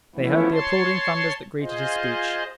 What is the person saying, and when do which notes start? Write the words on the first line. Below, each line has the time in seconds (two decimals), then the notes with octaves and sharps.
They heard the applauding thunders that greeted his speech.
0.15 E3 F3 A3 B3 C#4 E4
0.51 C#5 A5 C6
1.61 F4 G#4 C5 D#5